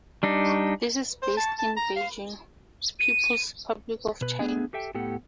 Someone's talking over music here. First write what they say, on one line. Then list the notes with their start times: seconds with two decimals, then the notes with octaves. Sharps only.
It is based in Beijing, People's Republic of China.
0.23 G3 D4 D#4
1.22 C5
1.37 A5
1.59 A5
1.76 A#5
1.96 F5
2.99 D#7
4.21 B2 B4
4.39 A3 B3 D4 G#4
4.73 G4 A4 E5 G5
4.95 A2 B3 G4 A4 F#5